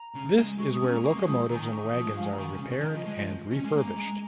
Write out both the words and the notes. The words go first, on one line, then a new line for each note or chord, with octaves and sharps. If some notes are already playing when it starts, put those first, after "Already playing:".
This is where locomotives and wagons are repaired and refurbished.
Already playing: A#5
C#3
G#3
G#3 C#6
D#6
C#4
A#5
A#3 C#6
G#3
F3 D#6
D#3 A#5
G#5
A#5
C#6
D#6
F3
G#3
F3 F5
G#5
A#5
D#3 C#6
C#3
C#3
F3
D#3 D#5
F3
G#3
F3
C#4
G#3
A#3 A#5
G#3